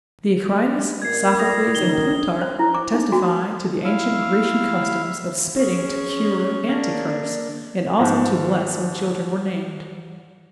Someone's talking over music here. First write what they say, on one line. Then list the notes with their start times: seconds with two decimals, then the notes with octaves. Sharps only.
Theocritus, Sophocles, and Plutarch testify to the ancient Grecian customs of spitting to cure and to curse, and also to bless when children were named.
1.02 A#2 G#6 C7
1.39 D#6 A#6
1.75 C#2 D#3 G7
2.41 C5
2.59 E4
2.74 D6
2.94 D#4
3.12 F#4
3.85 E4 F5
5.56 C#4 G#4
6.69 A#3 D4
8.00 G#2 F3